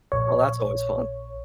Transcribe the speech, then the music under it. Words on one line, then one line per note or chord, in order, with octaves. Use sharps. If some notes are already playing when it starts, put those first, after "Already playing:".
Well, that's always fun.
A#1 C#5